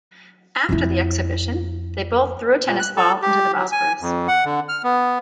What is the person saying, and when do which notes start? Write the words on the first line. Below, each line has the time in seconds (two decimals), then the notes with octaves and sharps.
After the exhibition, they both threw a tennis ball into the Bosporus.
0.69 F2 E4
2.66 A#2
2.79 F#6
2.97 A4
3.22 G4
3.57 F#3
3.72 G#5
4.01 F2
4.28 F#5
4.45 D3
4.69 F6
4.84 B3